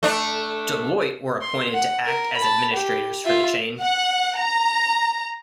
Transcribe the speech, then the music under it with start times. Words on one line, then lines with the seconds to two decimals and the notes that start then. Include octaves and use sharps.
Deloitte were appointed to act as administrators for the chain.
0.03 A3 D4
1.41 C6
1.74 F#5
2.06 A#4
2.37 A5 B5
2.73 G4
3.25 F4 E5
3.82 F#5
4.39 A#5